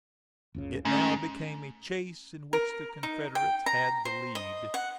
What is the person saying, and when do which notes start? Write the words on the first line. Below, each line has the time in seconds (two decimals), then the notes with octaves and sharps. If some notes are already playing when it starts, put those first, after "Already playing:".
It now became a chase in which the Confederates had the lead.
0.54 F#1 C#2 C#3
0.85 G#2 A3 C#4
2.53 A#4
3.03 D#4
3.35 G5
3.66 A#5
4.05 C5
4.35 D#5
4.74 F#5